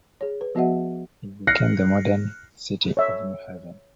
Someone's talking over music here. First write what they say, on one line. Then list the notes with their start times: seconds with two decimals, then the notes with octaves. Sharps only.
It became the modern city of New Haven.
0.21 G#4 C#5
0.41 B4
0.55 F3 B3 F#4 D#5 E5 F#5
1.47 F6 F#6 A#6 C7 C#7
2.97 C#5 E5